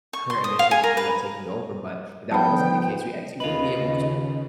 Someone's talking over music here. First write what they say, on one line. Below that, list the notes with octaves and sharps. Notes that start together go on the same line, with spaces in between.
current administration ended up taking over, but if that wasn't the case, we actually would be able to,
C#6
C6
D#6
F5
G#5
A#4
B4
F3 G3 B3 D#4 F5 G5 A5 B5
D#2 C#3 F4 B4 D#5